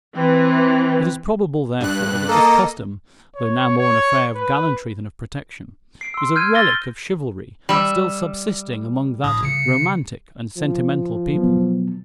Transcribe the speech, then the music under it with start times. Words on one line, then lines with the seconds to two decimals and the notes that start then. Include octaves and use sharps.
It is probable, therefore, that this custom, though now more an affair of gallantry than of protection, is a relic of chivalry still subsisting among that romantic and sentimental people.
0.16 E3 C4
1.80 G2 F#6
2.29 A#3 A4 D#5
3.35 C#5
3.78 C#5
4.36 B4
6.01 C7 D7
6.14 C6 E6
6.36 F6 G6 G#6 D#7
6.55 E6 A6 A#6 G7
7.69 G3 E5
9.24 A#1 A2 D#6
9.43 C#3 C#7
10.57 F3
11.33 B2 F#3 B3